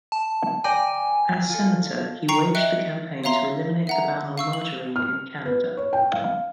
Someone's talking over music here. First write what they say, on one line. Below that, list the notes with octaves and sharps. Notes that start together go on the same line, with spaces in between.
As Senator, he waged the campaign to eliminate the ban on margarine in Canada.
A5
D5 G5 G#5 A#5
F4 A4
G5 A#5 C#6 C7 C#7 F7
D#5 E5 G5 F#6 C#7 D7
C#5 E5 F5 A#5 C6
E5 F#5 A#5
F5 C#6 E6
F#7
F6
B4
C#5
G5
F5